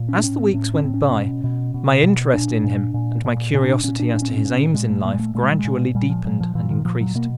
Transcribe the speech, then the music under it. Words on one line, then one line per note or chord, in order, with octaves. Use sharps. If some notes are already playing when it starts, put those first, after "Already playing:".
As the weeks went by, my interest in him and my curiosity as to his aims in life, gradually deepened and increased.
Already playing: A#2
C#4
D4
A2 C#4
C4
A2 C#4
C#4
A2 C4
C#4
B2
B2
B2
B2
A#2 D4
A#2
A#2
A#2
A#2 C#4
C#4
D4
A#2 C#4
D4
A#2 D4
C#4
C4
C#4
A#2
A#2 G#3
A3
A#2 A#3
G#3
A3
A#2 A3
G#3
G3
G#3
A#2
A#2 G3
F3
A#2 F#3
F3
A#2 E3
D#3
A#2 F3
F#3
B2 A#3